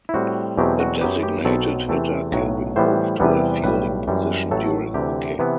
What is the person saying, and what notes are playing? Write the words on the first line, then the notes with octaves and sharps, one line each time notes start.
The designated hitter can be moved to a fielding position during the game.
E4
A2 G3 C4 F#4
E2 B2 F#3 A3 C4 G4
F#4
F#2 F#3 B3 G4
G4
B1 B2 F#3 C4 A4
E2 C3 E3 A3 C4
B1 A2 F#3
A2 E3 G3 B3 C5
E2 C3 E3 G3 B3
B1 A2 G3 B4
F#2 E3 G3
A1 A2 F#3 A3 A4
D2 C3 E3 G4
C3 E3 B3